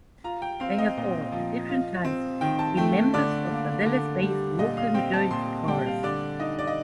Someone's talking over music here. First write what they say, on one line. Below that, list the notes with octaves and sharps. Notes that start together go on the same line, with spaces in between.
They have all, at different times, been members of the Dallas-based Vocal Majority chorus.
F4 A#5
G5
C4 F5
D#5
A#2
F3
F4
C4
D#3 G5
A5
A3 G5
D3 D5
A#3
D3
G3
A#2 D#5
F5
C4 G5
A5
A#2 C6
G3 G5
F5
D3 D5
D#4 D#5
D5
D#5